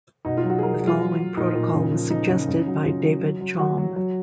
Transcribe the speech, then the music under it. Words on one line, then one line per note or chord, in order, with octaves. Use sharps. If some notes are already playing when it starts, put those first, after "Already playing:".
The following protocol was suggested by David Chaum.
B2 D#4
F4
F#3
F#4
G#4
F#3 A#4
F#3
F4
F#3
F#3
A#2 D#4
A#2
C#3
F3
F3 D#4
C#3
C#3
F#3
C#3 F4
F#3
F#3
F#3
F#3 F#4
F#3
F#3